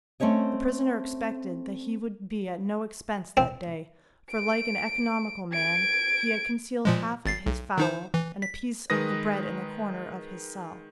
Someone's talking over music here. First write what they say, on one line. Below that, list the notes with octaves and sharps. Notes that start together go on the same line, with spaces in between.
The prisoner expected that he would be at no expense that day, for like an economical man he had concealed half of his fowl and a piece of the bread in the corner of his cell.
A3 C4 C#4 C#5 D#5
C4
D7
G#6 D7
A#2 F3 G#3
G#1 A6 C7
B1
D#3 D#4 C5
E3
B6
D#3 G#3 B4 D#6 A#6